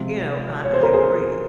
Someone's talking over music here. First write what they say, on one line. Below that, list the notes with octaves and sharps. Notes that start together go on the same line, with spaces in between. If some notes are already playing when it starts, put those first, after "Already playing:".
you know, I I agree,
Already playing: C3 F3 G#3 F4
C#5
C5
A#4
G#4 C5